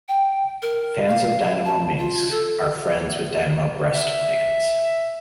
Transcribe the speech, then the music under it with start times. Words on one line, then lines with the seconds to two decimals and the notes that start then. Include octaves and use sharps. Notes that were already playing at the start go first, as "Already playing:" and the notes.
Fans of Dinamo Minsk are friends with Dinamo Brest fans.
0.08 G5
0.62 A#4
1.07 F5
1.65 A5
1.98 F4
2.31 A4
3.95 E5